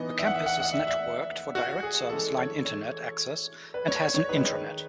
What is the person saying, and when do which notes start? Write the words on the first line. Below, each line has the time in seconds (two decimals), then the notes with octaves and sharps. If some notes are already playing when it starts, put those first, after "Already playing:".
The campus is networked for direct service line internet access and has an intranet.
Already playing: E3 B3 D#4 D#5
0.18 E5
0.27 F#5
0.34 E5
0.46 F#5
0.60 F#5
0.73 E5
0.87 E5
1.55 F#4
1.83 G#4
2.09 E3 G#3 C#4 A4
2.38 C#5
2.65 C#5
3.74 B4
3.88 C#5
4.02 C#5
4.15 C#5
4.29 D#3 G#3 D#4 B4